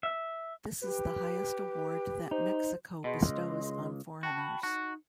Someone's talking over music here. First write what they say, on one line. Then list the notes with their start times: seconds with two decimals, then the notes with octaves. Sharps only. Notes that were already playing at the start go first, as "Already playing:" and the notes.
This is the highest award that Mexico bestows on foreigners.
0.03 E5
0.82 G4 B4
2.31 D#4 C5
3.04 B2 G#4 D#5 C6
3.23 C#2
4.23 F#4 G5 A5 B5
4.63 D#4 F#4